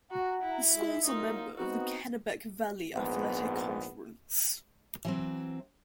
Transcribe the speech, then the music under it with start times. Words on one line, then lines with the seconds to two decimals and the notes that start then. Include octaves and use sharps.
The school is a member of the Kennebec Valley Athletic Conference.
0.11 F#4 F#5 A#5
0.42 E4
0.74 G#3
1.05 F#3 A#3 D#4 F4
1.56 B3 C4 D#4 F#4
2.93 A#1 G#2 B3
5.05 E3 F#3 C4